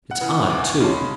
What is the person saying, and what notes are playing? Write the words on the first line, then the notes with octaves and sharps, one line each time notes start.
It's odd, too.
F#5
C#3 E3 B3
C#6
D2 D6
C#6
C#3 G#3 C#4 A5
B5